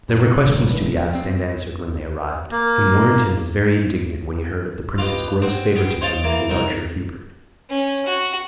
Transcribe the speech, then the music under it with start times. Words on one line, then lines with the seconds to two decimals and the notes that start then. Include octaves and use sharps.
There were questions to be asked and answered when they arrived; and Warrenton was very indignant when he heard of the Prince's gross favoritism of his archer Hubert.
0.09 F#2
0.24 G2
0.45 G#1
0.59 F1
0.96 F3
1.15 C4
2.51 A#3
4.98 F4 G4 B4 D#5
5.42 C4 F#4
5.75 B3 G#4 G5
6.01 C5 C#5 D#5 F5 G5 A5
6.24 E3 A#3
6.50 C2 D#4 F#4 A#4
7.69 C#4
8.06 F#4